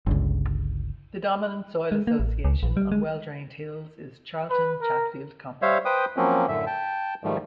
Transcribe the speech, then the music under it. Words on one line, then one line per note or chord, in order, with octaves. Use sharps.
The dominant soil association on well-drained hills is Charlton-Chatfield complex.
G1 C#2
G#3
A#3
A1
C#2
A#1
G3
G#3
B4
A#4
G3 C5 C#5 E5 F5
B4 C5 G5 D#6
F3 F#3 A#3 C4 C#4
F#2 A2 D3 E5
G5 A5
G#2 D#3 F3 G3 A3